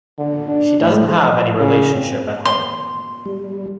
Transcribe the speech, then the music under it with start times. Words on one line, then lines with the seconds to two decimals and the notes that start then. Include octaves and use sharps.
She doesn't have any relationship at home.
0.18 D3
0.48 D4
0.80 A2
1.20 F3
1.60 C#3
1.94 C4
2.45 C6
3.26 G3